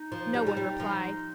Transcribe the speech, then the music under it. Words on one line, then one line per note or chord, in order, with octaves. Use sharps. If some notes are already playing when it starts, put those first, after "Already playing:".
No one replied.
Already playing: D#4
F3
G3
F3
G3
F3